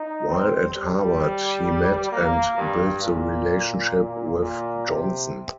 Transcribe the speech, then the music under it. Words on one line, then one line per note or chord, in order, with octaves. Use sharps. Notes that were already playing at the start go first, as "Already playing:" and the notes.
While at Harvard he met and built the relationship with Johnson.
Already playing: D#4
C4
G3
A#3
G2
A#2
A#2
C3